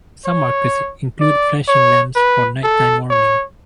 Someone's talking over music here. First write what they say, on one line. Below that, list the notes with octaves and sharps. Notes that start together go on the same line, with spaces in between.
Some markers include flashing lamps for night-time warning.
C#5
D5
C#5
B4
A4
C#5